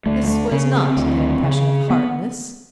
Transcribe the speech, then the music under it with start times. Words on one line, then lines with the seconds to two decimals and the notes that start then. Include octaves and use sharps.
This was not an impression of hardness.
0.06 D2 A3
0.28 A3
0.51 C#3 C#4
0.75 C4
0.97 D2
1.43 C#3
1.90 B3